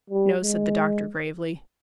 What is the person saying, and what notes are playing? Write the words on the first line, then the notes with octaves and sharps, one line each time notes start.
"No," said the doctor gravely.
G3
G#3